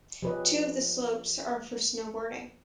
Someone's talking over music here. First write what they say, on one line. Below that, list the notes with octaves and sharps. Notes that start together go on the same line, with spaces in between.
Two of the slopes are for snowboarding.
F3 G4 G#4 B4 C#5 D#5